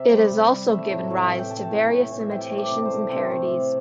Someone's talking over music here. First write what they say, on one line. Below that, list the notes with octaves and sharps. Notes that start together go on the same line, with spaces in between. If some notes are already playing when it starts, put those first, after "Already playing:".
It has also given rise to various imitations and parodies.
Already playing: C3 E5
G3
C3
G3
A3 E5
A2
A2
E3 E5
G5
A3 A5
A2
A2
E3
E5
C3 G5
A3
D5
C3
C5
A3
C3 C4
A3
C3